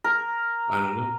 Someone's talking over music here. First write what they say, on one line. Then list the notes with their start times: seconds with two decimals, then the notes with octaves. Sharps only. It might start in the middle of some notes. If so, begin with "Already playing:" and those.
I don't know.
0.04 A#4